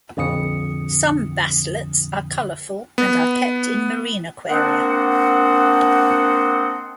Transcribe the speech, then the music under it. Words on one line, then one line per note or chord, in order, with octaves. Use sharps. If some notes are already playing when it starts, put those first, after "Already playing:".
Some basslets are colorful and are kept in marine aquaria.
A#1 F2 D3 D#6 C#7
B3
A#3 C4 D4 C5 D#5 F#5